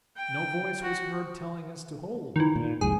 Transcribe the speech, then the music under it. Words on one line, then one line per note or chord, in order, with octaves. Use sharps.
No voice was heard telling us to hold!
G5
F#4
D#3 E3
A#2
C2 F2 G#2 G#4